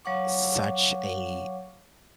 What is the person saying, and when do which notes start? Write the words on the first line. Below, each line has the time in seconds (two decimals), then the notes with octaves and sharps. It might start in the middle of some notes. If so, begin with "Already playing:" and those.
such a
0.05 F#3 C#5 F5 F#5 C#6 D6